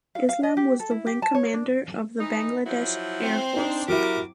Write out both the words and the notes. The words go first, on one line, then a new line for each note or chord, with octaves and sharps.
Islam was the Wing Commander of the Bangladesh Air Force.
F5
F5
D#5
G4
A4
E4
G4
A5
C#5
D4
E3 D#4
F3 F#3 E4
C4 C5
D4 D#4
F#3 E4 F#4 G4 A#4 D6